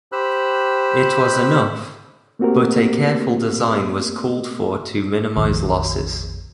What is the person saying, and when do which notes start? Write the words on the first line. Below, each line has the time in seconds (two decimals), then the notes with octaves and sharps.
It was enough, but a careful design was called for to minimize losses.
0.12 G4 C5 B5 E6 F#6
2.39 A3 A#3 C4 F#4 G4 A#4
5.36 F1 A#1 D#3